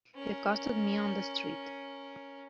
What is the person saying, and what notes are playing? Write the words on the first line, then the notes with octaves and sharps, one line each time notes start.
He accosted me on the street.
C#4 A#4